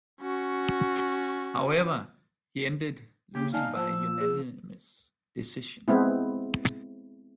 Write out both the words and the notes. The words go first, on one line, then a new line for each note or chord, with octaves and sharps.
However, he ended losing by unanimous decision.
C#4 F#4
C#3 A#3 G4
D#4 D5 F5 G#5 A5
F3 C5 A5 E6
G#4
G#3 B3 C4 E4